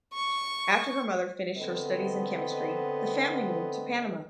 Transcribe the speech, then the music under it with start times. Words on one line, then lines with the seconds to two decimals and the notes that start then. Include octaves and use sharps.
After her mother finished her studies in chemistry, the family moved to Panama.
0.13 C#6
1.57 D3 B3 C4 A4 D#5